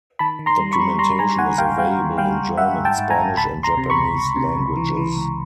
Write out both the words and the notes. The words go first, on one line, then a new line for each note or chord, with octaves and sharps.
Documentation is available in German, Spanish and Japanese languages.
D#3 A5 B5
D#3
A#5 C6
G3
B5 C#6
G3
G3 A#5 C6
G3 G#5 A#5
D#3 F#5 G#5
G#1 F5 G5
G3 F5 G5
D#3
G3 F5 G5
G3
G3 E5 F#5
G#2
G5 A5
G#2
G#5 A#5
G#1
C#2 A5 B5
C#2
A#5 C6
C3
B5 C#6
C#2
C#2
C3
C#2
E3
E3
C#2